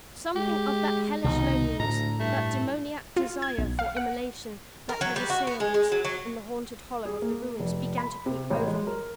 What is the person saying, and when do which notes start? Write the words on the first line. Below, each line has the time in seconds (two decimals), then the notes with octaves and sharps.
Something of that hellish loneliness, that demoniac desire for immolation that had assailed us in the haunted hollow of the ruins began to creep over me.
0.36 G#3 G4
1.24 C2 B2 D#3 D#4
1.80 D2 A2 A#5
2.20 G2 A3
3.16 F4
3.42 G#6
3.58 B1
3.79 F5
3.97 F#5
4.89 A#4
5.01 F#3
5.16 G3
5.30 F#4
5.47 B3
5.60 G#3
5.74 G#3
5.92 F#3
6.05 F#3
7.05 G#4
7.22 A#3
7.60 F1
7.98 B5
8.26 C3
8.50 A1
8.67 G#3
8.87 A#4